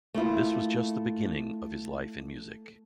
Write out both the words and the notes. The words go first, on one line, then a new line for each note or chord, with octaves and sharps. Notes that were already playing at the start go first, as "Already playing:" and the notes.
This was just the beginning of his life in music.
A3 A#3 E4 F4